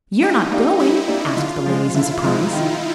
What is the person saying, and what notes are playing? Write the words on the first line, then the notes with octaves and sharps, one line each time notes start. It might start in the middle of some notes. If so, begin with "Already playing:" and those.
"You are not going?" asked the ladies in surprise.
G3 D#4
A#3 D4 G4
G3 E4
A#3 D4 G4
D3 F4
F3 G#3
D3 E4
F3 G#3 D#4
D#3